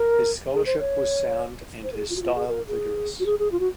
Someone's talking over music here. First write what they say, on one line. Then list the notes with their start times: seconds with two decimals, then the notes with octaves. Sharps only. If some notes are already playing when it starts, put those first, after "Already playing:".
His scholarship was sound and his style vigorous.
Already playing: A#4
0.53 G#4
0.66 C5
0.79 C#5
1.83 C5
1.92 A#4
1.96 G#4
2.10 F4
2.16 F#4
2.22 F4
2.35 G#4
2.48 A#4
2.68 G#4
3.20 F#4
3.26 G#4
3.39 G#4
3.52 F4
3.60 F#4